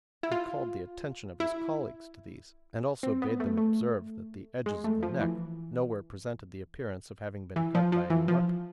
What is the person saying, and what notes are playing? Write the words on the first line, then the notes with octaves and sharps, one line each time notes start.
He called the attention of his colleagues to these, and also bade them observe that the edges of the neck nowhere presented the appearance of having been cut by any weapon.
E4
F4
E4
C4
B3
A3
A3
G#3
A3
F3
E3
E3
F3
F3
E3
F3